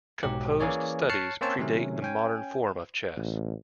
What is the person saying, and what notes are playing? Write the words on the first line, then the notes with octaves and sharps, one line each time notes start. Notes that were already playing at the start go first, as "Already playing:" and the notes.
Composed studies predate the modern form of chess.
B1 G#2 F#3 G4
E3 A#3 C#4 G#4 C#5 D5
C#5 A5 F6 F#6 C7 C#7
A#3 C4 C#4 C5 C#5 A5
C3 D#3 F#3 A3 C#4
C#4 G5 G#5
A1